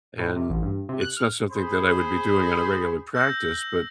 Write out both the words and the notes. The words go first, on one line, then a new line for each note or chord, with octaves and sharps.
And it's not something that I would be doing on a regular practice, but,
A2
C3
A1
G2
C3
F#6
F6
G#4 C5 B5
E6 G6 A#6